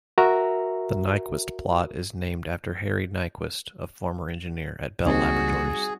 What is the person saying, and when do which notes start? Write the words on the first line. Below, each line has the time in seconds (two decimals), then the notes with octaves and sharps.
The Nyquist plot is named after Harry Nyquist, a former engineer at Bell Laboratories.
0.18 F#4 A#4 E5 A#5
5.06 C#2 G3 A#3 C4 D#4 F#4 G#4